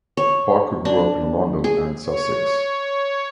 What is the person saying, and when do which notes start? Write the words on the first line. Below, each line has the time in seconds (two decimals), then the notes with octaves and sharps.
Parker grew up in London and Sussex.
0.17 C#5
0.85 D4
1.64 G#4
2.05 C#5